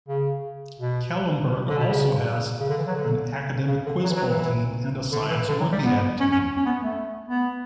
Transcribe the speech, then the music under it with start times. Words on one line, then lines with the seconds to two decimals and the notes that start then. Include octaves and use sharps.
Kellenberg also has an Academic Quiz Bowl team and a Science Olympiad team.
0.08 C#3
0.80 B2
1.52 B2
1.69 D3
1.79 B2
1.88 C#3
2.60 C#3
2.69 D3
2.78 E3
2.87 F#3
2.96 D3
3.68 C#3
3.86 D3
4.04 F#3
4.10 E3
4.16 F#3
4.28 E3
5.12 D3
5.30 E3
5.48 D3
5.60 F#3
5.72 G3
5.85 B3
6.20 C#4
6.32 C#4
6.57 C#4
6.66 B3
6.83 A3
7.28 B3